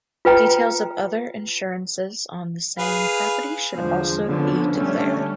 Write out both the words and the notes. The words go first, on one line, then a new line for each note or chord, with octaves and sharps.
Details of other insurances on the same property should also be declared.
F4 B4 G5 A#5
G#4 B4 F5
E2 D3 F3 G#3
F2 D3 F3 B3 C#4
D3 G3 A3 C#4